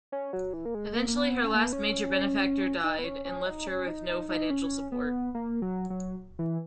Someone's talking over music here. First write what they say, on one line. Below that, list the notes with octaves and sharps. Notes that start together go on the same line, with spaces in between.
Eventually, her last major benefactor died and left her with no financial support.
C#4
F#3
E3
A#3
G#3
A#3
A#3
B3
C#4
A#3
B3
C#4
D#4
B3
C#4
C#4
D#4
C#4
D#4
D#4
D#4
C#4
B3
A#3
F#3
F#3
E3